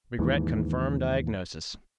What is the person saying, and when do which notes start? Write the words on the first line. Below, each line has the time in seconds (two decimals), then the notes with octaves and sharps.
Regret confirm diagnosis.
0.19 D#2 G#2 E3